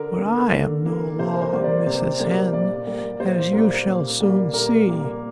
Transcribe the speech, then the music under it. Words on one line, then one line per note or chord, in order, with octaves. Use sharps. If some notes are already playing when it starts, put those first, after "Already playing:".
But I am no log, Mrs. Hen, as you shall soon see.
Already playing: D3 A#4
A#3
D3
A#3
C3 C5
A#4
C5
G3 A#3
D5
C3 C5
G3 A#3
A#2 D5
G3 A#3
A#2 C5
G3 A#3 A#4
A#2
G3 A#3
A#2 A#4
G3 A#3